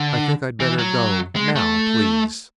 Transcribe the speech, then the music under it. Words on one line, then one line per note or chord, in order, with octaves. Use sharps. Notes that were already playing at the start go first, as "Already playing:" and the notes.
"I think I'd better go, now, please."
Already playing: D3
E3
F#3
G#3
A3